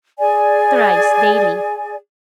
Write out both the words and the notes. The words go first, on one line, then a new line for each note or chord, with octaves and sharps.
Thrice daily.
G#4 D5 G#5